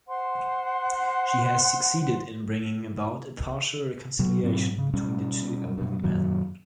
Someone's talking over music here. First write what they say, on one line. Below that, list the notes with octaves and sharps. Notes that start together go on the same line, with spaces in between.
She has succeeded in bringing about a partial reconciliation between the two elderly men.
C5 F#5 C6
B2 F#3
G#2 B2 F#3 C4
C#3
B2 G3 C#4
G2 B2
F#2 A#2 D#3 F#3